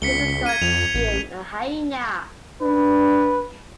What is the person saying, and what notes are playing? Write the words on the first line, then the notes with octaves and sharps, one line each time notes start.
This is called being a "hyena".
C#2 B6 C#7 G7
G#6 D#7
F2 G#6 F7
A1
D4 B4